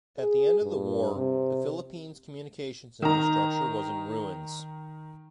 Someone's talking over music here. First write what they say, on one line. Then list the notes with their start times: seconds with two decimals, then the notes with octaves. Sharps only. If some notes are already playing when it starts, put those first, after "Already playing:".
At the end of the war, the Philippines' communications infrastructure was in ruins.
0.18 G#4
0.62 G2
1.16 C3
3.02 D#3 A#5